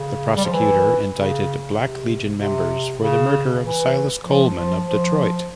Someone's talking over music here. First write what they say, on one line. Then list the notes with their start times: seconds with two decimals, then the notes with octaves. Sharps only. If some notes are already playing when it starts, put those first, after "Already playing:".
The Prosecutor indicted Black Legion members for the murder of Silas Coleman of Detroit.
Already playing: C#3
0.37 G3
0.45 F3
0.52 E3
1.14 C#3
1.77 C3
2.39 C3
3.00 C#3
3.63 E3
4.25 F3
4.56 F3
4.87 F3